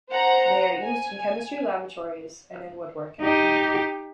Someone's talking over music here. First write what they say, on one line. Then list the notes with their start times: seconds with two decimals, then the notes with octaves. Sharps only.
They are used in chemistry laboratories and in woodworking.
0.11 C5 F#5 A#5
0.83 G#5
3.21 D#4 G4